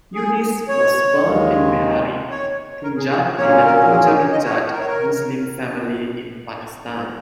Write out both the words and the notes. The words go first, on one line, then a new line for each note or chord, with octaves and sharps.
Younis was born in Vehari, Punjab in a Punjabi Jatt Muslim family in Pakistan.
G#4
C#5
D#2 D#3 G#3
C#5
A#4
G#4
G#4
A#2 F#3 A#3 C#4 C#5
A#4
G#4
G#4
C#5
D#5
C#5
A#4
C#5
A#4